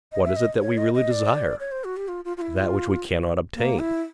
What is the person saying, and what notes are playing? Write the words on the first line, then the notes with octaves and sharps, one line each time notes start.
What is it that we really desire?--that which we cannot obtain.
D#5
E5
D#5
C#5
D#5
D#5
D5
C#5
C5
F#4
G4
F4
F4
F4
E4
F4
A#3
E4